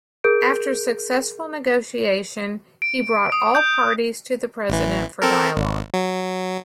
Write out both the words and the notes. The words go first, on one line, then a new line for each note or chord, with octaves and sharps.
After successful negotiation, he brought all parties to the President for dialogue.
G#4 A#4 G6 D7
D7
D#6
G6
A1 E3
C4 A4 A#4
G#1
F#3